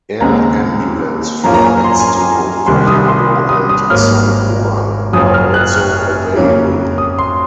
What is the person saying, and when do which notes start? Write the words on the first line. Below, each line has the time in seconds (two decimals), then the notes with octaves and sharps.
Air ambulance flights to Fajardo and San Juan are also available.
0.20 D#2 C#3 G#3 C4 A#5
1.44 F#2 F3 A#3 C#4 F4 A#5
1.54 A#5
1.64 G#5
1.84 C6
1.92 A#5
2.00 G#5
2.08 A#5
2.66 C2 C3 D#3 C6
2.87 D#6
3.08 C6
3.49 D#6
3.69 D#6
3.90 G#1 G#2 F#3 A#3 F6
5.13 F#1 F#2 C#3 F3 D#6
5.34 F6
5.54 F#6
5.75 F6
6.36 F2 C#3 F#3 A#3
6.98 D#6
7.19 C6